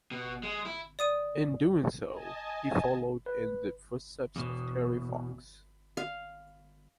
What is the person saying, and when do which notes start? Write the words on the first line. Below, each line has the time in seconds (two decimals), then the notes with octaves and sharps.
In doing so, he followed in the footsteps of Terry Fox.
0.11 B2
0.43 G#3
0.66 E4
0.99 D5 D#6 D#7
2.08 D#5 G#5 A5
3.26 B4
4.36 E2 B2
5.97 F5